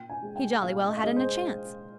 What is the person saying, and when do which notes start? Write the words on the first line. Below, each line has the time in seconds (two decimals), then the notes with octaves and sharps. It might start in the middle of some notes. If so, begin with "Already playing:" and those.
He jolly well hadn't a chance.
Already playing: A#2 G5
0.10 G#5
0.23 G#3
0.36 G5
0.62 A#2 F5
0.89 D#5
0.97 F5
1.03 G#3 D#5
1.16 C5